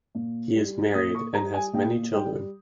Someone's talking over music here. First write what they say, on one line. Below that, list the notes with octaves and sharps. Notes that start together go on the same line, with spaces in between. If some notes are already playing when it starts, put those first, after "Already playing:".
He is married and has many children.
A#2
G3
A#2 D#6
C#6
G3 A#5
G#5
A#2 G5
G3 G5